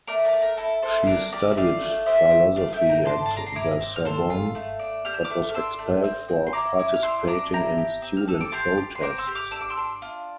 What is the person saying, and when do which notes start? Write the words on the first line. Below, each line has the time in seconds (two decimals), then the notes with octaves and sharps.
She studied philosophy at the Sorbonne, but was expelled for participating in student protests.
0.08 A3 A#4 D5
0.25 A#4 D5
0.33 A3
0.42 A#4
0.57 E4 A4
0.82 E4 A4 C5
1.07 D4 A#4 D5
1.32 G4 A#4 D5
1.51 E5
1.57 A3 D5 F5
1.82 A3
2.06 G4 C5 E5
2.31 G4
2.56 A3 D5 F5
2.73 E5 G5
2.82 A3
2.89 G5 A#5
3.06 D4 A5 C6
3.26 D4 A5
3.36 A#5
3.46 C6
3.55 E4 A#5 D6
3.81 C4
3.96 F6
4.05 A4 C6 E6
4.30 F4
4.55 A3
4.79 D4
5.05 G4 F6
5.14 E6
5.25 D6 F6
5.30 A3
5.49 F6
5.54 D4 C6 E6
5.79 A3
6.04 C4
6.28 C4
6.47 C6
6.53 E4 A#5 D6
6.79 E4
6.94 F6
7.03 D4 C6 E6
7.28 D4 A#5 D6
7.52 E4 G5 A#5
7.78 G4
8.02 C4
8.17 F6
8.27 A4 E6
8.40 D6
8.52 G4 A5 C6
8.77 G4
8.95 C6
9.02 C4 A#5 D6
9.18 C6 E6
9.27 G4
9.35 D6 F6
9.51 D4 E6
9.61 D6
9.70 C6 E6
9.77 D4
10.02 F4